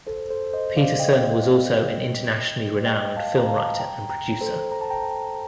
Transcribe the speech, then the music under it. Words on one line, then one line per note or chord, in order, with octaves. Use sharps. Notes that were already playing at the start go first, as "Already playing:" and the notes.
Peterson was also an internationally renowned film writer and producer.
A4 C5
A4 C5
C5 D#5
D5 F5
D#5 G5
D#5 G5
F5 A5
A#5
F5 A5
G5 A#5
G5 A#5
A4 C5
A#5
A5
G5 A#5